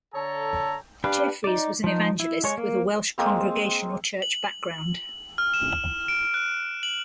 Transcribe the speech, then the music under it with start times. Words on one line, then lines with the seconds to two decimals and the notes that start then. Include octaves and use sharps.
Jeffreys was an evangelist with a Welsh Congregational church background.
0.14 D3 A4 C#5 A#5
1.04 D4 G4 B4 F5
1.44 D#4 D5
1.84 F3 D#4
2.20 E4
2.44 G#3 C#5
2.58 A#3
3.18 G#3 A#3 C4
4.22 F#7
5.38 F6
5.54 E7
6.08 D7
6.34 F#6
6.83 F#7